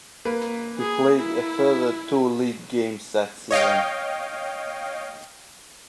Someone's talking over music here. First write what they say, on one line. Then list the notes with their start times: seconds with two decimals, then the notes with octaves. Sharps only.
He played a further two league games that season.
0.25 A#3 B4
0.79 G#4
1.17 E4
3.51 C#5 D#5 F5 G5